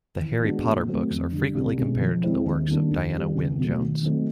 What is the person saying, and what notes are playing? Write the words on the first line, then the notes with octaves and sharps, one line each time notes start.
The "Harry Potter" books are frequently compared to the works of Diana Wynne Jones.
E3
G#3 B3 D4 F#4
A#2
F#3 A3 C4
F2
D3 G3
C2
B2 G#3 C#4
F3
G#3 C4 E4
D#2
D#3 G3 A#3 D4
D#2
D#3 G3
C#2
B2 F#3 A3
D#3
F#3 A3 C4 D#4